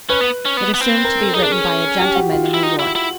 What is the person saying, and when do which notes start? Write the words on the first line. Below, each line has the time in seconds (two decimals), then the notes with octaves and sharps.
It assumed to be written by a gentleman in New York.
0.09 C#4 B4
0.21 B3
0.45 C#4
0.57 B3
0.74 B3
0.81 C4
1.04 A#4
1.20 A4
1.34 D#4 G#4
1.43 D4
1.52 C#4
2.00 G4
2.15 F#4
2.32 F4
2.54 E4
2.63 D#4
2.79 E4
2.96 E4